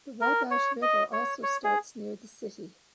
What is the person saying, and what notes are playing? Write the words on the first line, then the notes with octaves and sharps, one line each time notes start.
The Wabash River also starts near the city.
A#4
C#5
D#5
C#5
C#5
G#4